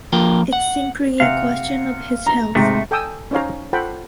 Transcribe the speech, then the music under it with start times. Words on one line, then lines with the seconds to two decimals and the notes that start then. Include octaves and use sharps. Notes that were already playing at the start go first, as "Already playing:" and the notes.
It's simply a question of his health.
0.13 F3 A#3 F4 A#4 G5
0.53 F#5
1.20 C3 F5 F#5
2.26 A#5
2.55 G#2 C3 A3
2.91 A4 G5 G#5 D#6 E6
3.31 C#4 D#4 C5 C#5 F5 A#5
3.73 F4 A4 C5 F#5 G5 B5